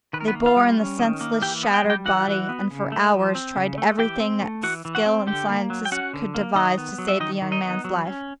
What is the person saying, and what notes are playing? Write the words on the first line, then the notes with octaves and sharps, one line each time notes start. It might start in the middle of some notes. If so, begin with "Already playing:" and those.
They bore in the senseless, shattered body, and for hours tried everything that skill and sciences could devise to save the young man's life.
D#3 B4
A#4
B3 B4
A#3
F4 F5
G3
C#4
D#3
A#3
E3 G4 G5
B3
G5
G3
G4 G5
E3 F#4 F#5
E3
B3
C#3
A3
F3
C4
C#3
A3
E3 G4 G5
C4
A3
E3 F#4 F#5
E3
F#4 F#5
C4
D3 G4 G5
A#3
F#3
G5
C#4 F#4 F#5
D3
A#3
D#3 D#4 D#5
B3
F#3
E5
D#3 D#4 D#5
D#3
D#4 D#5
B3
F#3
C#4